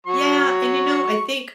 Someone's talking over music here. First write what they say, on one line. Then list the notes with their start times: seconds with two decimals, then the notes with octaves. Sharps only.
Yeah, and, you know, I think,
0.06 F#3 C#6